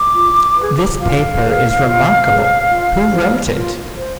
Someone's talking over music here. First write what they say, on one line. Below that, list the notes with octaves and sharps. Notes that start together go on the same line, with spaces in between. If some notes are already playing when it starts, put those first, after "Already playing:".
This paper is remarkable, who wrote it?
Already playing: D6
F4
G#4 B4
F4 F5
G#4 B4
F4
G#4 B4
F4
C5
F4
C5